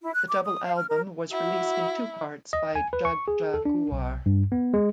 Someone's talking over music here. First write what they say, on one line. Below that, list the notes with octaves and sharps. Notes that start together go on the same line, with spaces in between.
The double album was released in two parts by Jagjaguwar.
E4
F#6
D6
D#6
F5
F6
A#4
E4 F#4
D#5
G#5
B4
C#6
G#4
A4
D4
B1
G2
B3
G#3